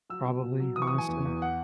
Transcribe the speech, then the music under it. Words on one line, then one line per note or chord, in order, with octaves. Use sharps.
Probably, honestly.
F#3 E6
B2
B2
F#3
E3 D#6
C#6
D#6
E3
G#5
E2
E2
F#5